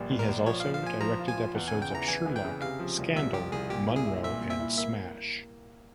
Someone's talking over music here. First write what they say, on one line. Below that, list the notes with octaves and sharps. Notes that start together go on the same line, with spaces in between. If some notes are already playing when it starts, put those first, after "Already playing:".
He has also directed episodes of "Sherlock", "Scandal", "Monroe" and "Smash".
Already playing: A#1 A#2 G3
A#1
A#4
A#1
F3 C#5
F3 F5
F5
F3 G#5
F3 A#5
F4
G#5
F4
E2
G#5
C#3
G5
E3 A#5
A#5
E3 G#5
E3
G5
C#3
C3 F5
F3
C2
C2 E5
F3 G4
C2 G#4
A#2 G4
E4
G#4
E4
A#2 E5
A#2
E5
E4
A#3 E5